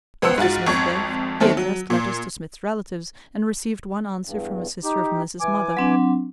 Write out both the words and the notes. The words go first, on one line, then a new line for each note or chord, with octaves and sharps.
After Smith's death he addressed letters to Smith's relatives, and received one answer from a sister of Melissa's mother.
C#2 B3 C5 E6 C#7
G#2 F4 F#4 A6
G#1 F2 C#6 G#6
D#2 D#3 A3 C4 A4
F#3
A#2
E2 G2
D#4 G4
E3 G#5 D6
F#3 C4 D4